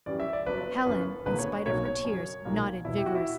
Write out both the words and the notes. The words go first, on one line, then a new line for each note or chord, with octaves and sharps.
Helen, in spite of her tears, nodded vigorously.
F#2 E3 G3 D5
E5
D5
G1 G2 F#3 B3 B4
G1 F#2 E3 B3
E1 E2 D3 A#3 B4
C#5
C#5
B1 B2 F#3 A#3 C#5
C#5
F#2 C#3 F#3
B1 A#2 F#3 A#3
E1 E2 B2 E4
G4
F#4
E4